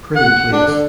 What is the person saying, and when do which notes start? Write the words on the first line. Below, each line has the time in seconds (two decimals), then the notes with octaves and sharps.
Pretty place.
0.16 F#5
0.52 D4
0.67 D3